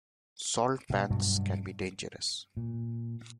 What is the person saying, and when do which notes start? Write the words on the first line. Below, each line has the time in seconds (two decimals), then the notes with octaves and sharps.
Salt pans can be dangerous.
0.90 B2
1.10 G2 B2 F#3
2.57 A#2